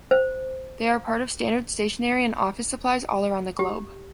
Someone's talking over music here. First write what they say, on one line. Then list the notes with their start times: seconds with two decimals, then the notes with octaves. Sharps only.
They are part of standard stationery and office supplies all around the globe.
0.11 C5
3.59 G4